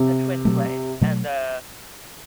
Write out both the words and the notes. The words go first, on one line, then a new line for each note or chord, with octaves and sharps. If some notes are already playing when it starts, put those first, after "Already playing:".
the twin flame, and the
Already playing: C3
B2 F#3 A3
B2 F#3 A3